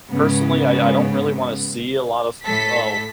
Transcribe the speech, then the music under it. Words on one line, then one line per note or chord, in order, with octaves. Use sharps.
personally, I I don't really wanna see a lot of p ul
G#2 C#3 B3
A2 A4 B6